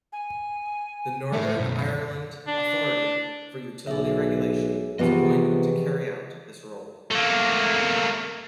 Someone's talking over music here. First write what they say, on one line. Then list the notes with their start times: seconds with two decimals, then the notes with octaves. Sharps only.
The Northern Ireland Authority for Utility Regulation was appointed to carry out this role.
0.13 G#5
1.33 A2 A3 E5
1.57 B1 F#2
2.47 D4
3.87 B1 G#4 E5
4.99 C3 E3 F3 B3 G4 G#4 B4 D#5
7.11 A3 A#3